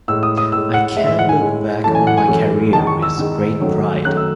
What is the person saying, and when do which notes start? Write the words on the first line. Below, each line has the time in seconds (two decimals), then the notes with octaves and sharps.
I can look back on my career with great pride.
0.08 A2 G#3 E6
0.23 D#6
0.37 D#6
0.52 A2 G#3 E6
0.74 F#5
0.96 A2 G#3 E5
1.07 E5
1.19 F#5
1.29 G#5
1.41 A2 G#3
1.84 F#2 E3 A3 A5
1.95 G#5
2.07 F#5
2.17 G#5
2.28 F#2 E3 A3
2.73 E2 D#3 G#3 A5
2.87 C#6
3.02 E6
3.16 E2 D#3 G#3
3.60 F#2 D#3 F#3 A3
4.04 F#2 D#3 F#3 A3 F#6
4.17 E6